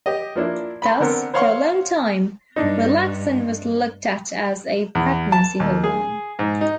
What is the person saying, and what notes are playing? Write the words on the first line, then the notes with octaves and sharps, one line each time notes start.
Thus, for a long time, relaxin was looked at as a pregnancy hormone.
G4 D#5
F3 A#3 D4 E4
B5 C6
D3 B3 C4 A#4
C5 C#5 F5 F#5 C6 C#6
G2 D4 D#4
E2
A5
D#2
G#4
G#2
D#4